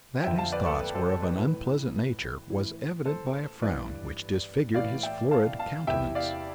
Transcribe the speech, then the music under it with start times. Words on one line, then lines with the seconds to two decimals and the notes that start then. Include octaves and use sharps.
That his thoughts were of an unpleasant nature was evident by a frown which disfigured his florid countenance.
0.23 F2 D3 F3 E5 G5
0.38 F5 A5
0.52 B4 D5
0.66 A4
0.80 B4
0.94 A4 C5
1.09 A4
1.22 B4
1.37 A2 E3 B4
2.49 A2 E3
3.06 A4 C5
3.62 G2 E3 B4 D5
4.74 A2 E3 D5 F5
5.03 E5 G5
5.31 F5 A5
5.59 F5 A5
5.87 E2 C3 E3 E5 G5
6.15 D5 F5